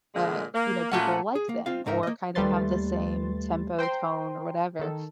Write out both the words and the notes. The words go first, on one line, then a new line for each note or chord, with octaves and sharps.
uh, you know, people like them or kind of have the same tempo, tone, or whatever,
A#2 D3 G#3
A#3
A#2 A3 C#4 F4 F#4 F#5
G#4
A#3
C4 F4 F5
C#2 G#2 D#4 A#4 E5
A#3 D#5
D#2 G3 A3 B4 C6 A6
C5 G5 A#5 C6
D#3 A4